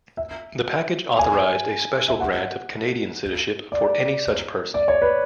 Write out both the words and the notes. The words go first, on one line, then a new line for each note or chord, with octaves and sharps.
The package authorized a special grant of Canadian citizenship for any such person.
E5
G#5
E5
F#5
D5
D5
C#5
B4